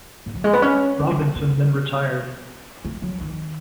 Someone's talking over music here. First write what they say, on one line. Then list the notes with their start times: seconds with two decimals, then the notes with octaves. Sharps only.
Robinson then retired.
0.26 G#2
0.35 F#3
0.44 G#3
0.53 B3
0.62 C#4
0.99 C#4
1.17 C#4
1.36 B3
2.85 A3
3.02 F#3
3.21 D#3